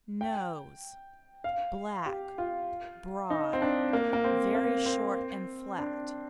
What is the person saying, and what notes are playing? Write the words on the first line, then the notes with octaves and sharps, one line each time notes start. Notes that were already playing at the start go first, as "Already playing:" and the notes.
NOSE--Black, broad, very short and flat.
G5
F5
G4
F4
D#4
C4
D4
A#3
A#3
C4
A#3
C4
D4